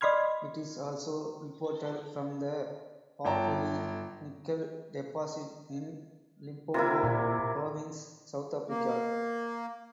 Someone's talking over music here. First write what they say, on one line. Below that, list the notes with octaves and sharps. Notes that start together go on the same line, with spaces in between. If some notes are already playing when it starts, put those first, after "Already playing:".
It is also reported from the Pafuri nickel deposit in Limpopo Province, South Africa.
D5 D#5 B5 C6 F6 G#6
G1 F#3 G5 A5 A#5
C3 A#3 E4 F4
A#2
A#3